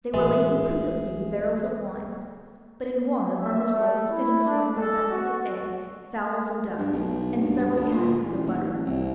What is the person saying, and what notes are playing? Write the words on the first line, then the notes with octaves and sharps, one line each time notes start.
They were laden principally with barrels of wine; but in one the farmer's wife was sitting, surrounded by baskets of eggs, fowls, and ducks, and several casks of butter.
A1 G#3 F#4 A#4 E5
E5
A3
E4
D4
A4
F#4
G2
B1
G2
D2
A#2
A1
D#2
A1
C2